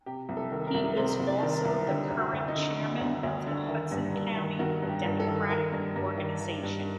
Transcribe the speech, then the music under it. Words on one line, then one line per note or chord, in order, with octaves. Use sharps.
He is also the current Chairman of the Hudson County Democratic Organization.
C3 G4
C2
A4
D#3
A#4
C2
C3 C5
C2
D5
D#3
A#4
C2
D3 G4
D2
F#4
D2
D#4
D3
D3
D2
D2
D3
D#3
G2
G2
D#3
D#3 F#4
G2
G4
G2
A4
D#3
D#3 A#4
G2
G2
D#3
D#3
G2